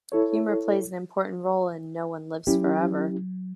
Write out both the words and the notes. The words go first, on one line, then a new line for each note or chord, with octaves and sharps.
Humor plays an important role in "No One Lives Forever".
E4 A4 C#5
F#3 C#4 E4 G4